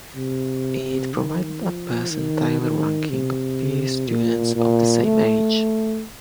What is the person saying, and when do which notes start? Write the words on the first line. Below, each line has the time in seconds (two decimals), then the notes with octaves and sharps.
It provided a percentile ranking of peer students of the same age.
0.16 C3
1.14 D#3
1.63 F3
2.11 D#3
2.61 D#3
3.10 C3
4.08 A#2
4.56 A#2
5.05 A3